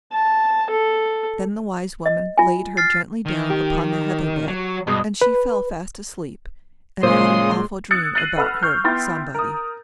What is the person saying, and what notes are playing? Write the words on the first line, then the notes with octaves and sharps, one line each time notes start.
Then the wise woman laid her gently down upon the heather-bed, and she fell fast asleep, and had an awful dream about her Somebody.
A5
A4
D#5
F4 G#5
F6 A6 C7
D#3
G4
F#3
G2 B2 G#3
B4
A#2 C#3 G#3 C5 C6 D#6
D#6 E6 F#6 G#6 A6 C#7
F#6 A6 A#6 C7 D#7 F#7
A4 B4 F#5 B5 E6 F6
C#6 F6 G6 C7
B3 E4 G5 C6 A6
A#4 D#6